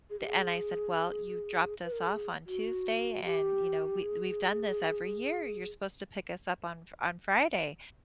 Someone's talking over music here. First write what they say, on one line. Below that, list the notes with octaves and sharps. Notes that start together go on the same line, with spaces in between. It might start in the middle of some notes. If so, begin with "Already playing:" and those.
Th and I said, "Well, you dropped us off on Tuesday, and, you know, we we've done this every year. You're supposed to pick us up on f on Friday."
G#4
G4
G#4
B4
A#4
A4
G#4
F#4
G4
G#4